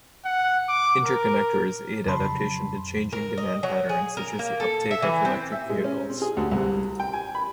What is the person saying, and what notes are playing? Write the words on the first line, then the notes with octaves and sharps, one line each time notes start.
Interconnectors aid adaptation to changing demand patterns such as the uptake of electric vehicles.
F#5
D6
A#4
F2 C#3 F#3 A5 B5 C6
A#4
D#5
F#3
G#4
A#4
A#3
A4
E5
E3
C4
E5
G#3
C#4
C4
G#4
D2
C2
G5
G#5
B5